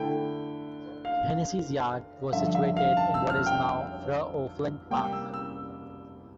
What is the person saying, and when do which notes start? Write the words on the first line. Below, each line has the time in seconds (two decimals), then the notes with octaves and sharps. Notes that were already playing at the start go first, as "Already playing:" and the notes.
Hennessy's yard was situated in what is now Fr O'Flynn Park.
Already playing: D3 A3 E4 G5
1.05 F5
2.33 G2 D3 F3 E5
2.55 E5
2.77 F5
2.97 A5
3.14 E6
3.30 F6
3.46 G5
4.91 C3 G3 A#3 G5
5.13 E6
5.34 E6